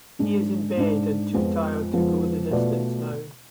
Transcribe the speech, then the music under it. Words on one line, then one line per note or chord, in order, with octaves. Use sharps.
He is in bed, and too tired to go the distance now.
G#2 G#3 D4
G#2 G#3 D4
F2 F3 G#3 B3
F2 F3 G#3 B3
B2 A3 F4 B4 D5